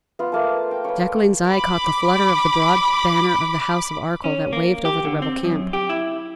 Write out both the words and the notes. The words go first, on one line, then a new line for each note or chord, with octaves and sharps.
Jacqueline's eye caught the flutter of the broad banner of the house of Arkell that waved over the rebel camp.
B3 F4
A3 A#3 A5
G5
B4 C#5
B5 D6
C#4
A#3
G4
D3
C4
F#2
G4
E4